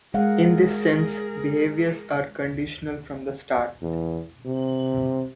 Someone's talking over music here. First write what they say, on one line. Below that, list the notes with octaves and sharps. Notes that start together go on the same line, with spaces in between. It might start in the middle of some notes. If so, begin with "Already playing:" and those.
In this sense behaviours are conditional from the start.
G#3 G#4 A#4 F5 F#5
E2
C3